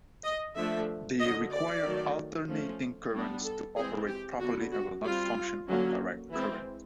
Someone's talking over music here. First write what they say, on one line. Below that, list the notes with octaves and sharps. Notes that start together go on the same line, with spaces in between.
They require alternating currents to operate properly and will not function on direct current.
D#5
D3 F3 A3 D4 E5
D3 F#3 A#3 D#5
D5
D#3 F#3 A3
F3 A3 C#4
G3 B3 D4
A4
E3 G#3 C4 G#4
G4
D3 F#3 B3 F#4
F#4
G3 C4 F4
D3 F#3 A#3 C#4
E3 G#3 C4 E4